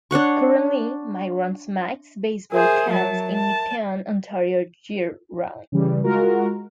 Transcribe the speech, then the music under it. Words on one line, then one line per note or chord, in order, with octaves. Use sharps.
Currently, Mike runs "Mike's Baseball Camps" in Nepean, Ontario year round.
D4 C#5 F#5 C#6
G#4 A#4 C5 E5
F#3 A5
A5
C#3 E3 G3
G#3 F4 F#4 A#4